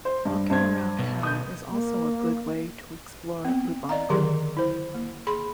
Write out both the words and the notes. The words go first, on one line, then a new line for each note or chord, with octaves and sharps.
Walking around town is also a good way to explore Lubango.
C5
G2
G2 C5 G#6
B1 B2
D#6 G6
A#3
B3 C4
D5 D#5 F5 A#5
D3 D#3 F#3 G4 G#4 C6
E4 C5
A#3
G#4 B5 C6